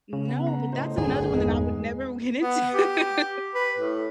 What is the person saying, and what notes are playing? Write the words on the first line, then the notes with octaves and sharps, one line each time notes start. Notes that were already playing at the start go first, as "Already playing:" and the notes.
No, but that's another one that I would never w get into.
C#3
B3
A#5
A2 C5 D#5
D1 G1 D3 G#4
E2 G#3 B3 D#4
B3
G4
B4
A2